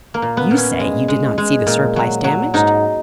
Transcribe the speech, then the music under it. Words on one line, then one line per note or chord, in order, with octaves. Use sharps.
"You say you did not see the surplice damaged?"
A#3
A#2
B3
A#2
C#4
G#3
G#3
G#3
A#2
F#3
F#3
G#2 D#4